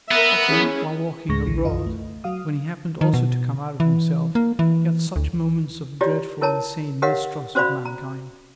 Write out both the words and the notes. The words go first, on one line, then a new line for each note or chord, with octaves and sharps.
Often while walking abroad, when he happened also to come out of himself, he had such moments of dreadful and sane mistrust of mankind.
B3 A#4 E5 A#5
C#4 E4 G#4
D2 A2 G#3 C#6 A#6
A#1 D3 E3
C2 F#2 F4 D#5
A3
F#3 F#4 F5 D#6
D#3
B2
E3
A#3
E3
D2
E4 F4 G4 C#5 D5
E4 A#4 C#5 A5 A#5
G4 A#4 C#5 D#5 F5 F#5
C#4 F#4 C5 D5 F5 B5
A#5